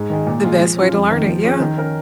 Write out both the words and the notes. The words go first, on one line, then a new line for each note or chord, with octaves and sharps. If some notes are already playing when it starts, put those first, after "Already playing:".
The best way to learn it, yeah.
Already playing: G#2
D#3 G#3
A#2
G#3 F4
F3
C#4 F4
F2
D#3 A#3
F3
C#4 F4 G#4
D#3
C#4 A#4